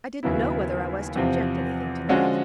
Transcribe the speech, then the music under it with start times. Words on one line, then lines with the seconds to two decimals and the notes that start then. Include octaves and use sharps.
I didn't know whether I was to inject anything to-night.
0.23 D#2 C#3 F#3 B3 E4
1.16 E2 C3 F3
2.09 D3 F3 G#3 C#4 F#4